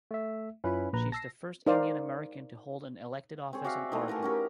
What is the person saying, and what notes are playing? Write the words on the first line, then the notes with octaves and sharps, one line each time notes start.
She is the first Indian American to hold an elected office in Oregon.
A3 E5
F#2 C#4 E4 F4 B4 B5
A#1 A#2 B4 A#5
A5 E6 A#6 C7
D#4 A#4 C5 D5 F5
C4 G#4 C#5
F#4 D5 E5 F5
E3 A3 C4 D#4
A3 A#4 G#5 A5
C#4 G4 A#4